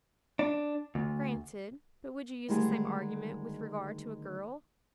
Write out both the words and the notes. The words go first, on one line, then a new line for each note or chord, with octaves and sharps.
'Granted;--but would you use the same argument with regard to a girl?'
D4
D2
D2 D#3 G3 G#3 G4 G#4